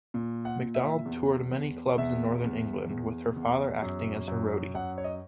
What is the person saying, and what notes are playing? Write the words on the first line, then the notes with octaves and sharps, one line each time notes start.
McDonald toured many clubs in northern England, with her father acting as her roadie.
A#2
F#5
A#2
E5
E2
E2
E2 E5
E2
E2
E2
F#2
F#2
F#2 F#5
C#5
D#5